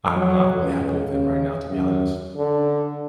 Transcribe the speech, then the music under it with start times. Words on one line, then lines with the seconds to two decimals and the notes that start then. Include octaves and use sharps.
I'm not really happy with him right now, to be honest.
0.16 F#3
0.62 C#2
1.09 C#3
1.70 F#2
2.37 D3